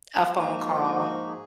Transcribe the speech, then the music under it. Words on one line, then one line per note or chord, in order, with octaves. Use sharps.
A phone call.
F4
G#2 F3 A#3 D#4 F#4
F4
F#4
F#4
G#4